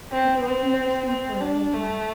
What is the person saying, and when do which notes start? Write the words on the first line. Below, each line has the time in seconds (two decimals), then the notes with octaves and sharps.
But there was no sleep for her that night.
0.12 C4
0.45 C4
1.09 C4
1.41 D4
1.73 A3